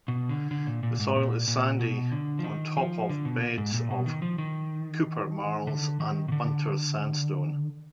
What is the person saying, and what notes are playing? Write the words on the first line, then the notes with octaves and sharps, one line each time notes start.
The soil is sandy on top of beds of Keuper Marls and Bunter Sandstone.
B2
D3
D3
A#2
A#2
G#2
A#2
A#2
B2
D3
F3
D#3
F3
D3
B2
G#2
A#2
B2
D#3
F3
D#3
D3
D#3
B2
D3